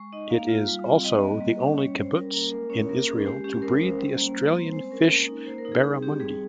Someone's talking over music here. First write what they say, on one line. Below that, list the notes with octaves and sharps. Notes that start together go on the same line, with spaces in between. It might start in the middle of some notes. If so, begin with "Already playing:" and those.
It is also the only Kibbutz in Israel to breed the Australian fish Barramundi.
Already playing: G#3 C#6
D#4 D#5
A#3 F5
F4
G3
C4
G3 D#5
A#3
G3
C#4
G3 C#5
C#4 C5
G3 A#4
A#3 A#4
G#3 A#4
C#4 C#5
A#3 A#4
C#4 G#4
G#3 G4
C#4 G4
G#3 A#4
C#4 C5
G3
A#3
G3
C4
G#3 C5
C#4 A#4
A#3
D#4
A#3 C5
A#4
D#4
G#4
G3 G#4
C4 G4
G3 G#4